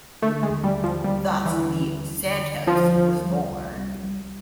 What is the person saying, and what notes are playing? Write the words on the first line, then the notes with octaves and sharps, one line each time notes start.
Thus the "Santos" was born.
D3 A3
G#3
D#2
G3
D#2
F3
D#2 G3
G3
E3
D3
D#2
D3
D#2
D3 F3
D#2
G3
C2
G3
G3